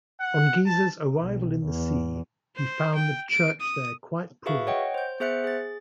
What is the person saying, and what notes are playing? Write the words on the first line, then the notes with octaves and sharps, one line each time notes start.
On Gisa's arrival in the see he found the church there quite poor.
F#5
A5
B1
E2
C5
G5
D7
D#6
F#4 G#4 B4 E5 F5 C#6
C#5 D#5 F#5 G5
C5 G6
B3 G#4 C5 E5 F#6 C#7
G#4 A6